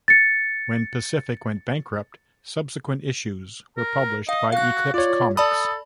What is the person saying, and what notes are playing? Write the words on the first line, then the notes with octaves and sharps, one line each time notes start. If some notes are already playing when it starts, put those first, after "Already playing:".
When Pacific went bankrupt, subsequent issues were published by Eclipse Comics.
A6 C#7
A#4
D#5 F5
F#4 F5 F#6
F4 C#5 D5
A4 D5 A5 B5 D#6